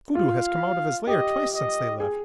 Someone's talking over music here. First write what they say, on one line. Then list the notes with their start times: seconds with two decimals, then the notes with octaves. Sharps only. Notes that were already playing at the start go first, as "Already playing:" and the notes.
"Kudu has come out of his lair twice since they left."
0.15 F4 F5
1.07 G4 D#5
1.54 D#5
2.00 G#4